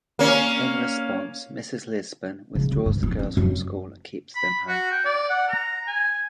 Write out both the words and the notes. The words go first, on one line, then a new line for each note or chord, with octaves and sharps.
In response, Mrs. Lisbon withdraws the girls from school and keeps them home.
A#3 C#4
C#3
D2
G2
B3
C#4
F#2
B5
F#4
G5
D5
F#5
A#5
G#5